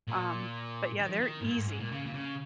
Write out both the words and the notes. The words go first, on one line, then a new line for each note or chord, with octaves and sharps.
um, but yeah, they're easy,
A#2
D#3
F3
D#3
G#2
A#2
G#2
G#2
A#2
C#3
A#2
C#3